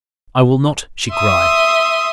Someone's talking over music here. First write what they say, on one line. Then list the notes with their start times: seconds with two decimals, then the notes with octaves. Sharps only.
"I will not!" she cried.
1.13 E5 C6 D#6